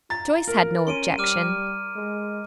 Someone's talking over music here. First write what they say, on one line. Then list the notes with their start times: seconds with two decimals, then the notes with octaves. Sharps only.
Joyce had no objection.
0.10 F4 A#5 A6
0.48 A#4
0.87 C#4 C6 D7 D#7
1.18 G3 D6 F6 D#7
1.95 G#3